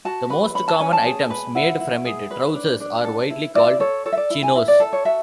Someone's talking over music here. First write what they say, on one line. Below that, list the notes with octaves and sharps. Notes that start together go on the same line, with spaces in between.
The most common items made from it, trousers, are widely called "chinos".
F#4 A5
B4 B5
C#4 B5
A5
C#4 G#5
A5
G#4
B4
E4 F#5
E4
G#4
B4
D4
D4
A4
E4
E4 D5
A4 C#5
A4 C#5
E5
D5
E4
G#5
E4 E5
D5
A4
C#5
F#4 E5